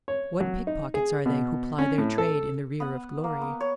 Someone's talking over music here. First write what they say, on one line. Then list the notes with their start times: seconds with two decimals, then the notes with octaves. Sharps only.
What pickpockets are they who ply their trade in the rear of glory?
0.08 C#5
0.40 F#3
0.67 D#4
0.94 G#4
1.26 B2
1.78 C#4
1.98 A2
2.18 A4
2.80 B3 F#5
3.24 A#3
3.41 B3
3.61 C#5